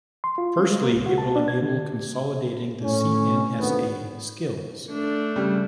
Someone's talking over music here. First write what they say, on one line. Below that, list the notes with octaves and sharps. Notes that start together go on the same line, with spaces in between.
Firstly, it will enable consolidating the CNSA skills.
C6
F4
C#4
G#3
A#3
C#2
F#4
A5
D4
G#6
D3
A2 C#4
G#1 D2 B3
A3 D4
C#3 G3